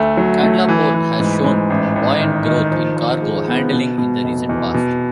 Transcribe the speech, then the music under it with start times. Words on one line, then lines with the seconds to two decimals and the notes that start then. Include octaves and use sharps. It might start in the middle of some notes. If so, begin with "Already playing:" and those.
Kandla Port has shown buoyant growth in cargo handling in the recent past.
Already playing: D2 A3
0.17 F#3
0.43 A3
0.69 E3
0.94 E3
1.19 G#2
1.44 G#2
1.70 A1
1.96 A1
2.20 D#3
2.46 D#3
2.72 F3
2.97 F3
3.22 G#3
3.48 B3
3.73 B2
3.98 B2
4.24 F1
4.49 E2
4.74 B2